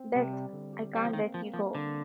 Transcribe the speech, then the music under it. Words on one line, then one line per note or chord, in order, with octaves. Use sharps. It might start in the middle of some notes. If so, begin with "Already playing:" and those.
Beth, I can't let you go.
Already playing: C4
C3 G3
G3
D3
G4
G3 C4
F3
D#3 A#3
F3 A#3
F3 A#3
D3 G3